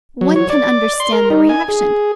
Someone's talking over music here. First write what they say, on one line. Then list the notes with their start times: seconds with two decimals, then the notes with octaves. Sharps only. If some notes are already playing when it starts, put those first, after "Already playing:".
One can understand the reaction.
0.21 F#3
0.36 C#5
0.50 D5
1.00 C6
1.13 A#4
1.30 D#4
1.49 G#5
1.68 G#4